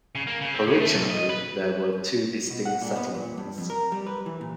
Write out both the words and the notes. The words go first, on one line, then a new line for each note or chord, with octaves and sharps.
Originally, there were two distinct settlements.
C#3
A#3
C#3
C4
C#3
A3
B1
D#5
B4
B2
F#5
A#2
B3
A#2
G2
F2
A#4
G3
B4
E3
A#2